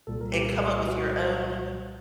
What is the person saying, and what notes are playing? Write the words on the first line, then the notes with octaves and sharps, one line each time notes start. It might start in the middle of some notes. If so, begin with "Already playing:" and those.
and come up with your own
C2 A#2 G3 A4
A#4
G4
A4
G4
F#4